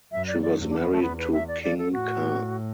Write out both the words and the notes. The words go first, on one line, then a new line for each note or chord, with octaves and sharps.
She was married to King Ka.
F#2 E5
D5
D5
E2
D4
B3
A3
E2 B3
B4
E5
D5
D5
A4
A2 F#4